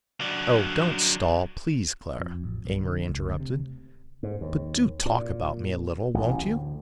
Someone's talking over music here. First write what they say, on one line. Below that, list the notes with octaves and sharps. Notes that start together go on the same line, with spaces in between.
"Oh, don't stall, please, Clara," Amory interrupted; "but do talk about me a little, won't you?"
F#3 D4
F2
A1
B1
D3
C#2
D2
C3
G#2
D#2
A#2
A1
D2